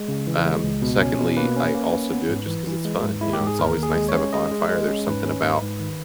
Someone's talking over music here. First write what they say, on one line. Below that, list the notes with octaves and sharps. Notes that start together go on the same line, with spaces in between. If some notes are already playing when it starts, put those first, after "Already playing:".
Um, secondly, I also do it just 'cause it's fun, you know, it's always nice to have a bonfire, there's something about
Already playing: G#3
C#3
E3
G#3
C#2
B2
C#4
B2
A#3 B4
C#4
A#3
C#4
B3
G#2
E3
E3
G#3
G#2
G#3 E4
G4
G#2
G#4
D#2 A#4
D#2
G#4
G#3
C#5
C#4
G#3 D#5
G#3
G#3
C#4
G#2 B4
C#4
G#2
G#2
D#3